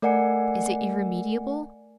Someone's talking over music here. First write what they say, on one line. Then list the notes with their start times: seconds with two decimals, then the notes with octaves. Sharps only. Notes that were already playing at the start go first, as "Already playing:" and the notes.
'Is it irremediable?'
0.02 A3 A#4 D5 F#5 G#5 C#7